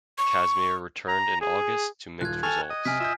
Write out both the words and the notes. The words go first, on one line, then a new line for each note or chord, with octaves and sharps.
Kazmir returned in August to mixed results.
C#6
A#5
G#4
D#1 F4 F#6 G#6
A4 G5 G#5 C#6 F6
D#5
C3 G#5 F6 B6
F4 D#5 E5 D#6 G6